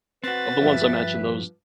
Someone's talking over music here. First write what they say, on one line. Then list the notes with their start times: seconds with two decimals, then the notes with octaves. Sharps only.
of the ones I mentioned, those
0.24 C4 F#4 B4 A6
0.61 G2 F3 E5